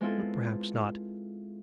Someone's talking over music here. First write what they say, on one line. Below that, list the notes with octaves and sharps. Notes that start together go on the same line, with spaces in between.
But perhaps not.
G#3 B3 C4 E4 F4 A4